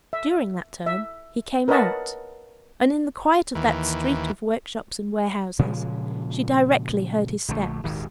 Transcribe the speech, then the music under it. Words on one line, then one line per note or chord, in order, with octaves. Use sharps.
During that turn he came out, and in the quiet of that street of workshops and warehouses, she directly heard his steps.
E5
E5
A#4 B4 C#5 D#5 F#5 A5
D#2 E3
A#2 C#3 F3 G#3
A#1 D3 F3 A3
D#1 G#1 G#2 D#3